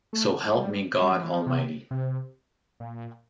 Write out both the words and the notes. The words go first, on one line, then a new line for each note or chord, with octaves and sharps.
So help me God almighty.
A3
G3
G3
F3
E3
F3
C3
C3
A#2